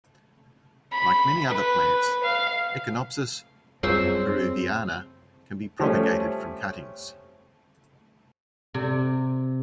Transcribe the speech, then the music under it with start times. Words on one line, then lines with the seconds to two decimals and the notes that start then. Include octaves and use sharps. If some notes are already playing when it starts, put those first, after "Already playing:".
Like many other plants, "Echinopsis peruviana" can be propagated from cuttings.
0.92 B5
1.50 B4
2.24 F5
3.83 F#2 G3 C4 F4 G#4 C5 C#5 E6
5.79 F3 G3 A3 C#4
8.74 C3